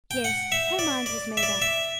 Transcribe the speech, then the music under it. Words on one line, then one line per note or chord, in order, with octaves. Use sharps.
Yes; her mind was made up.
G5
F#5
E5
D5
D5
E5
D5
E5